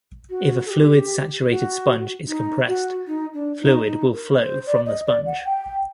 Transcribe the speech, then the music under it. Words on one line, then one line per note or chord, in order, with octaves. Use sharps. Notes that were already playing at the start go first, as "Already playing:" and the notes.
If a fluid- saturated sponge is compressed, fluid will flow from the sponge.
F#4
A4
G4
F#4
D#4
F#4
D#4
D4
D#4
D#4
A#4
C5
D5
D#5
D5
F#5
G5